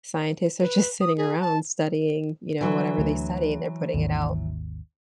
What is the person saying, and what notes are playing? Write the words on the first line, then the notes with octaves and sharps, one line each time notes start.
scientists are just sitting around studying, you know, whatever they study, and they're putting it out,
B4
D#6
G#4
A5
E3 F#3
D2 D3
G#1 D#2